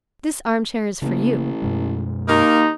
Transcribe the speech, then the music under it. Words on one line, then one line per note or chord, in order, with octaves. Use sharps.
This armchair is for you.
A1 C#3 A#3
F#2 B2 G#3
D#2 A#3 D#4 A#4